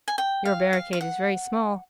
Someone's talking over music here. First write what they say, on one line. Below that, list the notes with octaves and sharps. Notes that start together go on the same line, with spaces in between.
Your barricade is very small.
G#5
G5
F5
F5
F5
F#5